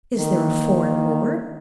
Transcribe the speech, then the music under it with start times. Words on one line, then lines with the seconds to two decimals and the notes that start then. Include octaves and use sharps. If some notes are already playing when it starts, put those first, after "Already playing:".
Is there a foreign war?
0.18 D#3 A#3